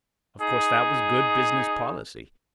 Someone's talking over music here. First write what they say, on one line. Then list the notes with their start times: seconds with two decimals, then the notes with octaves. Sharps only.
Of course, that was good business policy.
0.40 D#4 G#4